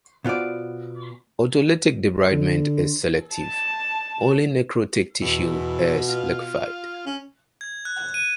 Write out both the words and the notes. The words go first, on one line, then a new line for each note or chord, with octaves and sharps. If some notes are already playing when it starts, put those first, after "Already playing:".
Autolytic debridement is selective; only necrotic tissue is liquefied.
B2 B3 F4 C5 D5
D3
A5
E2 B2
F4
C#4
G#6
F#6
D#7